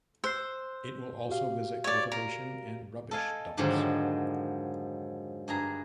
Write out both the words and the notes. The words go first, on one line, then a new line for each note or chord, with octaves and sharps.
It will also visit cultivation and rubbish dumps.
C5 E6 F#6 C7
F#4 G4 F5
C#5 D5
A#4
A4 D#5 F5 G#5
F2 G#2 D3 D#3 F3 F#3
G2 G#4 A#5